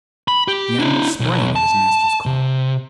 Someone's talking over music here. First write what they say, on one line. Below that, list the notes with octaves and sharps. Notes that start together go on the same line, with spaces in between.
The animal sprang at his master's call.
B5
G4
D4 E4
B1
A5
C3